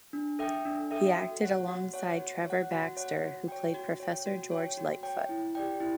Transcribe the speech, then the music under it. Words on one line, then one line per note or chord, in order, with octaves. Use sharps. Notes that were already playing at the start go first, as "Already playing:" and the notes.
He acted alongside Trevor Baxter who played Professor George Litefoot.
D4
A4 E5 G5
D4
A4 E5 G5
F#4
C#5 F#5
F#4
C#5 F#5
F#4
C#5 F#5
F#4
C#5 F#5
F#4
C#5 G5
F#4
C#5 G5
F#4
C#5 G5
F#4
C#5 G5
E4
G4 D5 G5
E4